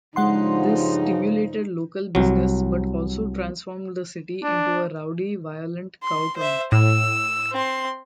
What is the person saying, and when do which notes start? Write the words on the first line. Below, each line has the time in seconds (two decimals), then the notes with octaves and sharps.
This stimulated local business but also transformed the city into a rowdy, violent cowtown.
0.16 G2 C#3 F3 G#3 D#4 F#5 C6
2.15 C2 F#3
4.43 D4
6.03 C6
6.37 C5 E5
6.72 A2 E6
7.52 C4 C6